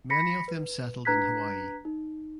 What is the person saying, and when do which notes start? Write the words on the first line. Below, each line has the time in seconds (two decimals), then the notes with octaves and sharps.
Many of them settled in Hawaii.
0.10 B5 A#6 B6 C#7
0.48 B4
1.05 D4 B4 A#5 F#6 G#6 B6
1.85 D#4